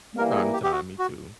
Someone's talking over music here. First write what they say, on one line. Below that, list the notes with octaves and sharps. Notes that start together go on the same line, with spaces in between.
From time to time, me too.
E3 G3 A#3 A#4
G#4
G4
G4
F#4
F#4